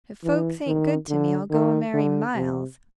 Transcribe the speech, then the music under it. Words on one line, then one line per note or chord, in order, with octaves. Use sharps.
If folks ain't good to me, I'll go and marry Miles!
E3
D#3
D3
D#3
D3
C3